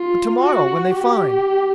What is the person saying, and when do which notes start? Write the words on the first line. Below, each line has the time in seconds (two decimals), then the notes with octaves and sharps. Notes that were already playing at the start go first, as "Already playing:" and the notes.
"But tomorrow when they find...."
Already playing: F4
0.41 F#4
0.95 G4